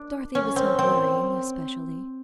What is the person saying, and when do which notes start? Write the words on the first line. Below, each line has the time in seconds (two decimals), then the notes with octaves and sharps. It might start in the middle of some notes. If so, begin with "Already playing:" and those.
Dorothy was not worrying, especially.
Already playing: D4
0.35 C#4
0.56 C4
0.79 C4